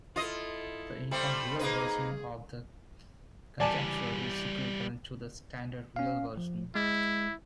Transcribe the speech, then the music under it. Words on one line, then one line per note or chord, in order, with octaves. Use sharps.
The uniform real version of the conjecture is equivalent to the standard real version.
E4 F4 A4 D#5
G3 A3 C4 B5 C6
A#3 D#4 G#4 B4
E3 G3 D5 G#5 A5
C#4 F5
F3
G#3 E4